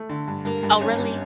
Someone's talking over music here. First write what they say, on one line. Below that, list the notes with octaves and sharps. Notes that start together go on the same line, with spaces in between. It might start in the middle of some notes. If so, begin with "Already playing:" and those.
Oh, really?
Already playing: A3
D3
G2
G2 A#3
G2
G#1 C#4
G2